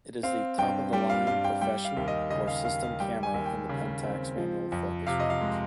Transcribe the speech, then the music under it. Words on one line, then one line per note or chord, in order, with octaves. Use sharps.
It is the top-of-the-line "professional" or "system" camera in the Pentax manual focus range.
C4 F5
G2 G5
G3 G5
F5
G2 F5
G5
G3 G5
F5
D#2
D#5
C#3 D#5
F5
D#2 F5
F5
G3 G5
G#5
D#2
G5
C#3
C4
F3
F2
C3 F5
D#5
F5
G#3